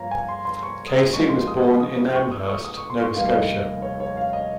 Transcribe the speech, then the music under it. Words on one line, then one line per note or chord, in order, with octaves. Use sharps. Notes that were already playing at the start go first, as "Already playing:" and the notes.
Casey was born in Amherst, Nova Scotia.
Already playing: G2 F3 A#3 C#5 F5 A#5
G#5
C6
C6
C#6
D#6
A#1 A#2 G#3 D#4 C#6
C6
D#6
D#6
D#6
D#6
C#6
D#6
C#6
D#6
C#6
C6
C#6
F1 D#2 D#3 G3 F5
F5
D#5
C#5
C#5
F5
D#5